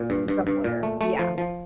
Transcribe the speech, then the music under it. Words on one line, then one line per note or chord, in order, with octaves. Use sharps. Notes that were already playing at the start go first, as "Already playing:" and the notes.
somewhere yeah,
Already playing: A#2
G2
G2
G2
A#2
A3
A3
F3
F3